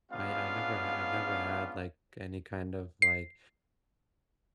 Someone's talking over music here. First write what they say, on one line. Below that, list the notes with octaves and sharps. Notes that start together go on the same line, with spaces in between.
I I never I've never had, like, any kind of, like,
G#3 B3 C#4 D4 F4 F5
C7